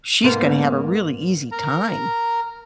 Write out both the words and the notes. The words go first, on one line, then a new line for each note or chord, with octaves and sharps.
she's gonna have a really easy time.
G#2 A#3 B3
A#4 A#5